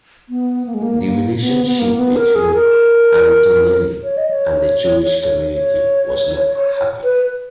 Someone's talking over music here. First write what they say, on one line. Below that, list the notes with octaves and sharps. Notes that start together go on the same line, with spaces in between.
The relationship between Antonelli and the Jewish community was not happy.
B3
A#3
G#3
A#3
A#3
B3
B3
A#3
B3
A#4
G#4
A#4
C#5
D#5
C#5
C#5
B4